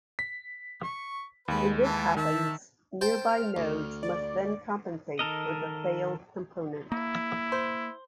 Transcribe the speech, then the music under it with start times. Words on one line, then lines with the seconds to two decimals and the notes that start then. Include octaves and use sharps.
When this happens, nearby nodes must then compensate for the failed component.
0.19 B6
0.84 C#6
1.48 D#2 G#3 B4
1.84 E3 A5
2.17 D#3 E5 A5
3.01 C5 G5 A5
3.29 F6
3.56 D2
4.03 D5
5.19 D#3 A4 A#4 D#5
6.92 A#3 E4
7.52 C5